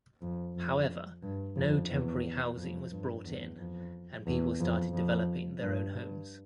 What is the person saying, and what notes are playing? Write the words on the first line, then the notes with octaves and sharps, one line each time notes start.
However, no temporary housing was brought in, and people started developing their own homes.
F2
F2
G2
F2
E2
F2
G2
E2
F2
E2
F2
F2
G2
G2